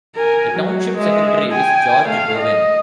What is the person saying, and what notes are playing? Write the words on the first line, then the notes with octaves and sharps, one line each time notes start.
The Township Secretary is George Bowen.
A#4 G#5
F#3
G#3 E5
G5 G#5
A3 F5
D#5